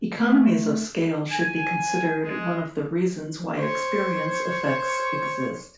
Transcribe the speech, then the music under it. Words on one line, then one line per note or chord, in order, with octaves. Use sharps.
Economies of scale should be considered one of the reasons why experience effects exist.
A3
G#5
G#3
C5 C#5